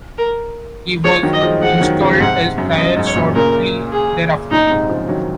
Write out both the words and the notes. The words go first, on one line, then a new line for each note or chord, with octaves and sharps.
He was installed as prior shortly thereafter.
A#4
F3 G#3 C#5
D#3 F#3
D#5
F3 G#3
F3 G#3 F#5
G#3
D#3 F#3
C#3 F3
G#2 C3 F#5
F#2
F#2 D#5
G#2
C#5
F#2 A#2
A#2 C#3 A#4
G#4
F#2 A#2 D#4
G#2 C3
C#3 F3
D#3 F#3